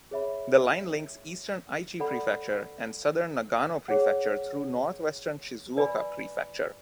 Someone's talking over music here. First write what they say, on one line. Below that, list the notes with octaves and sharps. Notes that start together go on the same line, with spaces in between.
The line links eastern Aichi Prefecture and southern Nagano Prefecture through northwestern Shizuoka Prefecture.
G#4 C#5 E5 B5
A4 D5 F#5 B5
G#4 C#5 F#5
B4 D5 G#5 B5